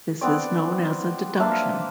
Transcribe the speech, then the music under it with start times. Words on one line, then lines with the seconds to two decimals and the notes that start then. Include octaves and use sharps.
This is known as a "deduction".
0.21 B3 C4 D5
1.40 A#3 D4 E5 F5